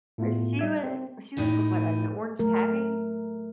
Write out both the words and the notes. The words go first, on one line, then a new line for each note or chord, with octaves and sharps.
Er, she wa she was a what, an orange tabby?
A2 A3 B3 F4
G3 E5 G#6
C4
A2 A#3 D#4 G4
F#3 A3 A#4